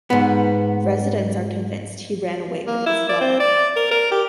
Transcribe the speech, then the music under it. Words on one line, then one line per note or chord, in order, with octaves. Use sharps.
Residents are convinced he ran away with his lover.
G#2 B3
A#3
E4
D5
C4
D5
A#4
A#4
G4